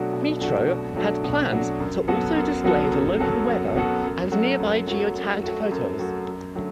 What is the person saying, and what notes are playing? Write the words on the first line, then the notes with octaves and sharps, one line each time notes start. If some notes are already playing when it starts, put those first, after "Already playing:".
Meetro had planned to also display the local weather and nearby geotagged photos.
Already playing: B2 F#3 A3 D4 F#4
B2
F#3 A3 D4 F#4
B2
F#3 A3 D4 F#4
B2
F#3 A3 D4 F#4
F#2
F#3 B3 F#4 A4
F#2
F#3 B3 F#4 A4
F#2
F#3 B3 F#4 A4
F#2
F#3 B3 F#4 A4
F#2
F#3 A3 F#4
F#2
F#3 A3 F#4
F#2
F#3 A3 F#4
F#2
F#3 A3 F#4
F#2
D3 F#3 A3